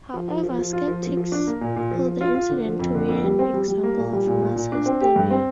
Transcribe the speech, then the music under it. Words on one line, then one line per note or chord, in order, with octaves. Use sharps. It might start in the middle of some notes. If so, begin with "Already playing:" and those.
However, skeptics hold the incident to be an example of mass hysteria.
F3
F3
F3
F3
F4
F3
F3
F3
D4
A#3
A#2
A#2
F3
F3
F4
F4
D3
F3
F2
D3
F2
G3
C4
G3
G3
A#3
A#2
G3
A#2
A#2
A#2
D4
C4
G4
G2
C4